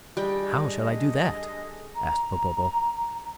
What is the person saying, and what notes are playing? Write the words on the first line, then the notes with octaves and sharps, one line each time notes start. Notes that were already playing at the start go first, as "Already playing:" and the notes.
"How shall I do that?" asked Popopo.
D3 G3 G#4 D#5 G5
A#5